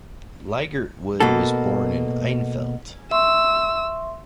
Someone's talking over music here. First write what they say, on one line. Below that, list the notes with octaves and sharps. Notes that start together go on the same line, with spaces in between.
Leigertwood was born in Enfield.
B2 A#3 F#4 A4
E5 C6 C#6 E6